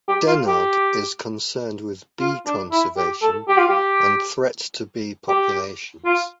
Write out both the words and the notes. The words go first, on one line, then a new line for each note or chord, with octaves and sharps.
Dennard is concerned with bee conservation and threats to bee populations.
G4
F4
G4
F4
D4
E4
G4
A4
G4
F4
G4
G4
F4